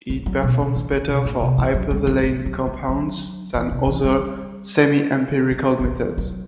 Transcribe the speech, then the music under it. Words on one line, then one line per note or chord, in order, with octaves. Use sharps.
It performs better for hypervalent compounds than other semiempirical methods.
F#3
F#3
B2
D#3
E3
D#3
C3
A2
C3
E3
F#3
G3
F#3
F#3
F#3
G3
F#3
E3
C3
E3
G3
F#3
D#3
E3
F#3